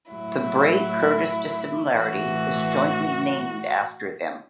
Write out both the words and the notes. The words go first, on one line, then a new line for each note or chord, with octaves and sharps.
The Bray–Curtis dissimilarity is jointly named after them.
A2 F#3 E4
A2 E3 F#4